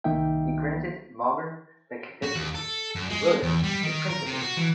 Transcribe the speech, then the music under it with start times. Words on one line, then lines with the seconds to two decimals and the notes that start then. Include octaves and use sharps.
He granted Mauger the Capitanate and William the Principate.
0.04 C2 D#3 A#3 D#4 E5 G5
2.23 F#4
2.36 D#2
2.55 A4
2.95 F#2
3.10 G#3
3.43 E2
3.63 G3
3.82 D#3
4.10 A#4
4.26 C3
4.41 F#4
4.57 E3